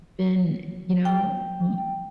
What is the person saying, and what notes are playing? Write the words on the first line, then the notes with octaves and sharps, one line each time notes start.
been, you know, m
G5